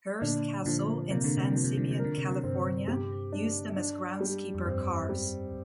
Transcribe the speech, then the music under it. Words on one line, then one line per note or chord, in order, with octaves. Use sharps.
Hearst Castle, in San Simeon, California, used them as groundskeeper cars.
A#2 D3 D4
A#2 D3 F3
C3 A#3
D3
C3
D3 F3
C3
D3
C3
A#4
D3
C3
D3
G2 C3 C4
G2 G4
D4
D4
G3
F2
G2 C4
G3